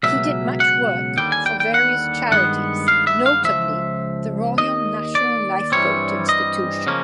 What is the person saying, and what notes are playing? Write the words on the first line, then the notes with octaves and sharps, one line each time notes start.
He did much work for various charities, notably the Royal National Lifeboat Institution.
C#2 B2 F#3 C#4 E5
F#5
D#2 D3 G3 G5
G#5
G5
G5
F#5
G2 D#3 G#3 B3 F#5
F5
E5
F5
C#2 C3 F3 E5
D#2 D#3 D#5
D5
G2 E3 G3 C4 C#5
D#5
C#3 F3 A#3 C#4